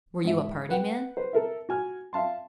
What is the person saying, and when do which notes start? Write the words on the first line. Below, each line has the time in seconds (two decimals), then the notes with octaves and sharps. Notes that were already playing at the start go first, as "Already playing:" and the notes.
Were you a party man?
0.25 G#2 E5
0.69 B4 F#5 G5
1.17 B4 C5
1.33 A4 A#4 E5
1.69 F#4 G#5 F6
2.13 E5 F5 A5 C6